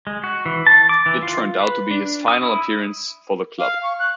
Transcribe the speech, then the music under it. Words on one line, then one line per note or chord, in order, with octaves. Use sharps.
It turned out to be his final appearance for the club.
G#3
F#4
E3
A5
D6
E3
F4
B4
D4
D#6
E4
F5
C#6
F#6